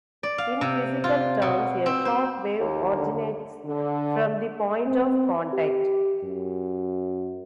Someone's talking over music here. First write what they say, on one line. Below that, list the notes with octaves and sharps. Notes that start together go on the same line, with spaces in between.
In physical terms, a shock wave originates from the point of contact.
D5
F5
C3
F4
B2
C4
C5
D#2
D3
D3
C4
G4
F#2